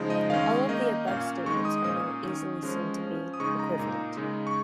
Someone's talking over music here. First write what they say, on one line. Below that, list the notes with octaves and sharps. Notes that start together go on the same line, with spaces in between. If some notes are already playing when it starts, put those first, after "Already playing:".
All of the above statements are now easily seen to be equivalent.
Already playing: C#3 F3 G#3 D#4
D#5
D#3 G#3 C#4 F5
D#3 A#3 D#4 D#5
A#2 A#3 C#4 F5
D#3 G#3 D#4 C#6
D#6
A#2 A#3 C#4 D#6
D#3 C#4
F3 G#3 C#4
F3 C#4
D#6
C#3 G#3 D#4 C#6
A#5
A#2 A#3 D#4 A#5
C#3 G#3 D#4
C#6